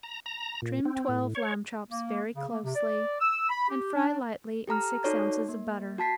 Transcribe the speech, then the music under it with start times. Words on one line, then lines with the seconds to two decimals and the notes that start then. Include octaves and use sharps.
Trim twelve lamb chops very closely and fry lightly in six ounces of butter.
0.03 A#5
0.26 A#5
0.62 A#2
0.85 C4
1.09 A2
1.35 C#5
1.91 A#3
2.34 C#3
2.49 A#3
2.64 C3
2.75 D5
3.20 E6
3.49 B5
3.68 G4
3.93 D4
4.67 G4 A4 A#5 F6
5.04 D#4 F#4 A4 C#5 D5
5.49 A#3
5.98 F#4 A5 B6 C7